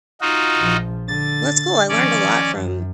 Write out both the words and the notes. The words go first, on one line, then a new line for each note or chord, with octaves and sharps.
That's cool, I learned a lot from
D#4 F4 F#4
A#1 F3
D3 A6
D#3 F3 C#4 D5
F#2